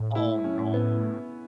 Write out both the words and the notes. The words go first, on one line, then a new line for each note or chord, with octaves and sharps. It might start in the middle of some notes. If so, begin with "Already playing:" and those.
Oh, no.
Already playing: A2
E4
C#4
B3